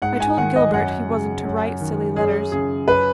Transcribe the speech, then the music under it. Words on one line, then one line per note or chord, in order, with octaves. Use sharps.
I told Gilbert he wasn't to write silly letters.
G#2 F#5
G#5
D#3 F#5
D#5
F#2 F#5
C#3
F#2
D#3
F#2 G#4
C#3 G#4
F#2 B4